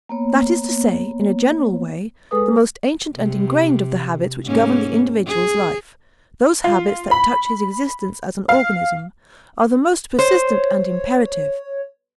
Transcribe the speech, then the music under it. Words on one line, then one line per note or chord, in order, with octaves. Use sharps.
That is to say, in a general way, the most ancient and ingrained of the habits which govern the individual's life--those habits that touch his existence as an organism--are the most persistent and imperative.
A#3 B3 C#5
G#3 G#4 A4 B4 D#6
C3
G#2 A#3 C#4
G#4
F4
B5
F5
C5 C#5